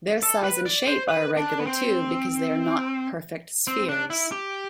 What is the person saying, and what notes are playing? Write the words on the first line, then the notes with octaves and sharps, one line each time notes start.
Their size and shape are irregular too because they are not perfect spheres.
A4
B4
D5
C5
B4
D4
B3
C4
C4
D4
E4
G4